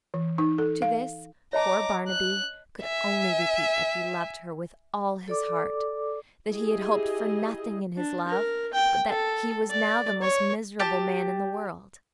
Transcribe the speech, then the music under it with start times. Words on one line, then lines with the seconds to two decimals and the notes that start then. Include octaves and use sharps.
To this poor Barnaby could only repeat that he loved her with all his heart, that he had hoped for nothing in his love, but that he was now the most miserable man in the world.
0.14 E3
0.38 D#4
0.58 A4
0.82 F5
1.53 C#5 D#5 A5 A#5 D6
2.08 F#6
2.83 E5 G#5
5.28 A4 D5 D6
6.47 E4 G4 G#4 D#5
7.97 D4
8.28 A#4
8.74 G5
9.09 A4
9.71 D5
10.21 C#5
10.80 G4 A5